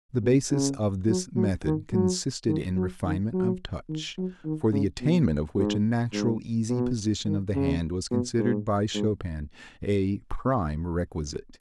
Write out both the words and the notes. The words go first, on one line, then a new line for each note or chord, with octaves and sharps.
The basis of this method consisted in refinement of touch, for the attainment of which a natural, easy position of the hand was considered by Chopin a prime requisite.
B2
C#3
F#3
F#3
D#3
F#3
D#3
F#3
D#3
F#3
D#3
F#3
D#3
C#3
B2
G#2
G#2
B2
D#3
C#3
B2
G#2
G#2